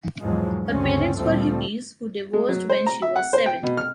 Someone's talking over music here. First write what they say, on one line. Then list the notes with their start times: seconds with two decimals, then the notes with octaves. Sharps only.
Her parents were hippies who divorced when she was seven.
0.22 E2 G#2 B2 F3 F#3 G#3
0.67 D2 G2 C#3 C4 C#4
1.17 D2 A#2 F3 G3 A3 C4
2.33 G#3
2.49 F#3
2.70 C5
2.86 A#5
3.02 E5
3.16 F#5
3.33 C5
3.46 G5
3.63 B2
3.77 F6